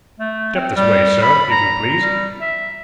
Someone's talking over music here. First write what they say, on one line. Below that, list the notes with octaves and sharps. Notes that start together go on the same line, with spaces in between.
Step this way, sir, if you please.'
A3
C4
G3
B5
A#5
G3
E5